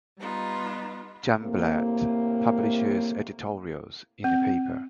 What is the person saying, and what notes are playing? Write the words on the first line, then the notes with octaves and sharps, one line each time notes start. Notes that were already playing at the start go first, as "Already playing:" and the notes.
Jumblatt publishes editorials in the paper.
G3 B3 D#4 F4
A2 C3 A#3
C4